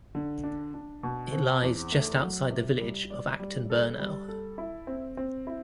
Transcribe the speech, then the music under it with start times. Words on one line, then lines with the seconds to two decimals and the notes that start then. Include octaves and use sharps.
It lies just outside the village of Acton Burnell.
0.15 D3
0.44 D4
0.74 D4
1.03 B2
1.33 C4
1.62 E2
1.92 A3
2.22 F#3
2.51 C3
2.81 G3
3.10 D5
3.40 G3
3.70 A4
3.99 G3
4.28 A4
4.58 E4
4.87 C4
5.17 C4
5.47 E4